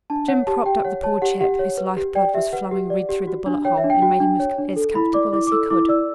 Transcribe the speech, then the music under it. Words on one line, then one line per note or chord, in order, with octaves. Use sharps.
Jim propped up the poor chap, whose life-blood was flowing red through the bullet-hole, and made him as comfortable as he could.
D4 A5
C#5 F#5
G4 A5
G4 G5
C#5 F#5
C#5 A5
G4 F#5
G4 F#5
C#5
B4
G4
D5 G5
G4 E5
B4 F#5
G4
D5
G4
F#4
D4
C#5 G5
E5
D4
G5
F#4 G5
D4
C#5
D4
A4
E4 B5
D5 D6
E4 D6
D6
A4 E6
E4 D6
D5 E6